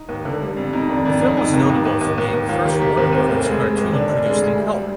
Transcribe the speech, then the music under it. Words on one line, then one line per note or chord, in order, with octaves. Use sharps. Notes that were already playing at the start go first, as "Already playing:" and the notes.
The film is notable for being the first Warner Brothers cartoon produced in color.
Already playing: D#4
D#2
D3
G3
F2
F2 D#4
D#3 D4
F2 D4
F2 D#4
F2 D#4
D#2
D#2
D#2
D#2
D#2
D#2
D#2 F4
D#3 G4
D#3 G4
D#2 C4
D#2
F1
G#3
G#3
D#2
D3 D4
F1
G#3
D2
G3
G3